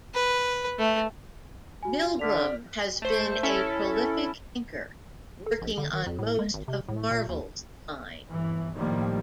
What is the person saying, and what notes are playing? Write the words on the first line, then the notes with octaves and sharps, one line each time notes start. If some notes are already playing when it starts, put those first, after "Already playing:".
Milgrom has been a prolific inker, working on most of Marvel's line.
B4
A3
F#4 G#5
D3 D5 F6 B6 F7
A3 C5
C#4 E4 A4
A4
A#1
D3
D#3
F2
A2
G#3
G#1
C3
A2
A#2
D#2
G1 E3
A2 D#3 F3 G3 A#3